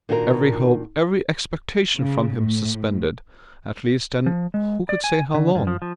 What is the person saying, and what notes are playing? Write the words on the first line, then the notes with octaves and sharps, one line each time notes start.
Every hope, every expectation from him suspended, at least, and who could say how long?
A#2 D#3 D4 F#4 G#4 A#4
C#3
A2
F3
G#3
D5
G#5
D3
G2
F3
F3